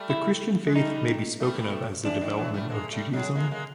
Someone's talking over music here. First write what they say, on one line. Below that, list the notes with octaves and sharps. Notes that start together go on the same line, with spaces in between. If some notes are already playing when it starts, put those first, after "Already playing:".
The Christian Faith may be spoken of as the development of Judaism.
Already playing: G3 A3
E4
G#3
G3 A3 D#4
G3 A3
D3 E3 D4
D#3 F3
E3 F#3
G3 A3
G#3 A#3
G3 A3
F#3 G#3
G#3 A#3
G#3 A#3